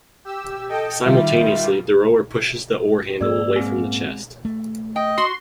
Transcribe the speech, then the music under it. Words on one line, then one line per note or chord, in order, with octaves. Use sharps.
Simultaneously, the rower pushes the oar handle away from the chest.
G4 E6
A4 D#5 G5
D#3 G3 F4 E5
G#2 A#3 G#4 D5 E6
G#3 B3 C4
A3
D#5 G5
F#4 C6